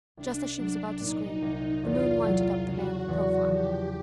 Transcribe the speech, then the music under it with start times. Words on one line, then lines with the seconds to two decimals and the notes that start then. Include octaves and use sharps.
Just as she was about to scream, the moon lighted up the man's profile.
0.17 C2 D4
0.59 F#3
1.00 A#2 D#4
1.42 C2
1.83 E2 F4
2.26 F#3
2.66 C#3 F#4
3.08 E2
3.50 F3 G4